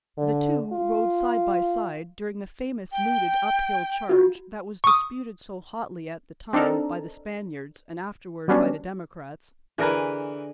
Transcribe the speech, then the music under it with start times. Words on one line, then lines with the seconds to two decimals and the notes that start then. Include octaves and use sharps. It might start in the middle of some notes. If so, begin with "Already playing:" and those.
The two rode side by side during the famous mooted up-hill charge that was disputed so hotly at the time by the Spaniards and afterward by the Democrats.
0.18 D3
0.73 F4
2.92 G5
4.09 F4 F#4
4.84 C#6 D#6
6.53 C4 D4 D#4 A4 A#4
8.48 F#3 G3 B3 C#4 D4
9.78 D3 E3 G#4 A#4 B4 E5